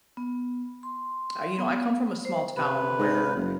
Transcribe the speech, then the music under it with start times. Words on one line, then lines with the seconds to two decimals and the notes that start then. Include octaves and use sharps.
uh, you know, I come from a small town where,
0.17 B3
0.83 C6
1.59 B3
2.25 C5
2.57 C3 B4
2.99 G#2
3.35 F#1